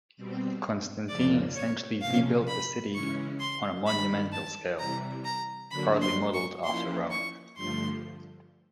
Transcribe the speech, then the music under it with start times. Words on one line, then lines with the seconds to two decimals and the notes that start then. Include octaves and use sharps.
Constantine essentially rebuilt the city on a monumental scale, partly modelled after Rome.
0.17 B2 G3 C4
1.09 F2 C#3 F3 A#3 D5
1.56 C#5
2.01 C3 F3 A#3 C#4 F5
2.48 B5
2.94 C#3 E3 G#3 C#4 C#6
3.40 C6
3.86 G2 D#3 G3 B5
4.32 A5
4.79 C3 E3 G3 A#5
5.25 A#5
5.71 D3 F#3 A#3 D4 F#4 B5
6.02 C6
6.34 C#6
6.64 F3 A#3 C#4 E4 C6
7.11 C#6
7.56 G2 D3 F3 A3 C6